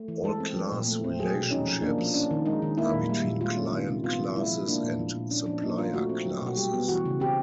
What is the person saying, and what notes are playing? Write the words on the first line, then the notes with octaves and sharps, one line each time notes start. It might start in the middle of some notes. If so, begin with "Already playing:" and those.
All class relationships are between client classes and supplier classes.
Already playing: A3
E3
G#3 A4
C4
F3
A#2
A3
C4
F#3 G#4
B2
C#4 D#4
F3
A#3 D4
F3
C#4 D4
D#3
G#3 D#4
D#3
A#3 E4
A#2
G3
A#2
G#3 F4
C#4
D#3
C3
B3 F4
F3
G#3 E4
F3
A#3 D4
A#2
F3
A#2
C#4 D4
F3 D4
A#3 D#4
F3 F4
A3 F#4
C4
F#3
B2 F#4
G3 G4
B3
E3 F#4
C#3
C4 G4